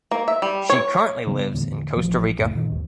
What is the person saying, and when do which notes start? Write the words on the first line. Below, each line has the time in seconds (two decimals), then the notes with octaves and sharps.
She currently lives in Costa Rica.
0.11 A#3
0.28 E5
0.42 G3
0.70 C#5
1.27 C#3 G3 B3
1.54 E2 A2 D3
1.96 A1 F3
2.38 F#1 C#2 A2
2.55 A#2 D#3
2.70 G#1 D#2